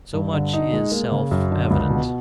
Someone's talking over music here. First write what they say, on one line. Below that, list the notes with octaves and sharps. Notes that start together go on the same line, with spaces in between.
So much is self--evident.
G2
D3
D#4
G#3
A#3
C#3
F#2
D3
C#2
B2